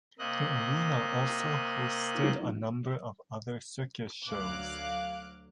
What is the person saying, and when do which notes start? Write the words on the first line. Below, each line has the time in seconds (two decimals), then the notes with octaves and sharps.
The arena also hosted a number of other circus shows.
0.19 C3 A#3 D#5 F#6
4.28 D2 F#3 F5 D6 F#6